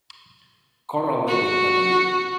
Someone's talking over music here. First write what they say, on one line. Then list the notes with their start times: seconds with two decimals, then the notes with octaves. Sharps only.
Corral later that year.
1.28 F#4